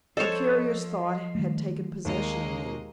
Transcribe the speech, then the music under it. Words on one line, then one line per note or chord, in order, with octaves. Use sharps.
A curious thought had taken possession of me.
F3 A4 C5 C#5 D#5
D#3 G3 A3
D#2 G#3 A#3 D#5